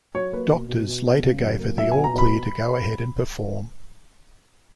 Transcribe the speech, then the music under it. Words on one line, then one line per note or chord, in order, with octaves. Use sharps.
Doctors later gave her the all clear to go ahead and perform.
F#3 C#5
A#3 B4
B2
B2
B2
B3
C#3
F#2
A#3
F#3 E5
B2 G#5
A#5
B2 B5